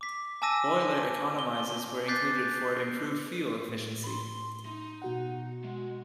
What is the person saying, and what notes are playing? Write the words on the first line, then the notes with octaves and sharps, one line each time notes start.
Boiler economizers were included for improved fuel efficiency.
D6 B6
G#5 A5 D6 E6 A#6 D#7
G7
D6 F#6 G6 A6 B6 C7
A2
B5 C6
D#4
B2 F#4 F#5
G#3